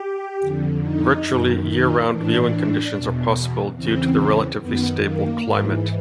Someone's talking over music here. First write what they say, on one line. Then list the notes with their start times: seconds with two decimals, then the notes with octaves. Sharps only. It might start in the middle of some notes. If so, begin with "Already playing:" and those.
Virtually year-round viewing conditions are possible due to the relatively stable climate.
Already playing: G4
0.40 F2 D3
0.82 D#4
1.23 F#2 D#3
1.66 D#4
2.07 A2 E3 D4
2.92 E2 B2
3.75 E2 C#3 E3 C4
4.59 F#2 D#3 B3
5.01 A#3
5.42 G#2 E3